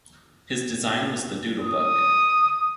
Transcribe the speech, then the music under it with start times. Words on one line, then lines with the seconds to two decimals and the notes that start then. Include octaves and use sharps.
His design was the Doodle Bug.
1.62 D#6